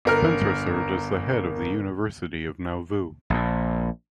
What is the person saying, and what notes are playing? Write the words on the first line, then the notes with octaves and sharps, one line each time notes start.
Spencer served as the head of the University of Nauvoo.
G1 A#4 F6
A#1 A#2